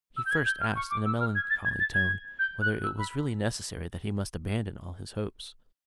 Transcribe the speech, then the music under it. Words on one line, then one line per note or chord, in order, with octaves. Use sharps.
He first asked, in a melancholy tone, whether it was really necessary that he must abandon all his hopes.
E6
G6
G#6
G6
F6
C#6
D6
E6
F6
G#6
A6
G#6
A6
G#6
G6
F#6
E6
B5